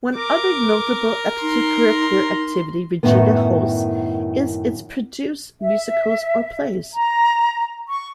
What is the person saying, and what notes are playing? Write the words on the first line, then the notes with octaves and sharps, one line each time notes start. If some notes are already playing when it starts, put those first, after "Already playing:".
One other notable extracurricular activity Regina hosts is its produced musicals or plays.
A#4 D6
D#4 C6
F#2 A2 D#3 B3
E5
A#5
C#6